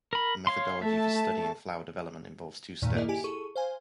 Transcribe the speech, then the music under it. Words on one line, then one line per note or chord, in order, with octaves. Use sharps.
The methodology for studying flower development involves two steps.
A#4 B5
C#5 F5 C6
A3 E5 A5
E2 G2 A#2 D#3 A3
A#3 E4 G#4 A#4 D5 D#5
E4 G4 G#5
G#4 A4 C#6 D#7
C5 F5 G#5